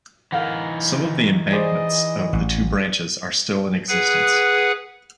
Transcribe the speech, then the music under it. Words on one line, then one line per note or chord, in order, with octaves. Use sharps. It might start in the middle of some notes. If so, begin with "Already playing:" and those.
Some of the embankments of the two branches are still in existence.
E3 D#4 A#4 F5 F#5
G#4 C5 D5 D#5
A1
G#4 B4 F#5